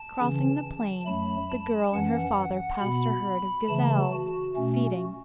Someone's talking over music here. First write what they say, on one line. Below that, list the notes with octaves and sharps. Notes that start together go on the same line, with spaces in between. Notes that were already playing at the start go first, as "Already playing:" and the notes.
Crossing the plain, the girl and her father passed a herd of gazelles feeding.
Already playing: A5
C#3 E3 C#4
A5
F#2 F#3 A3 B5
A5
F#2 E3 C#4 F#5
B2 B3 B5
C#3 E3 A3 A5
F#4
B2 A3 C#4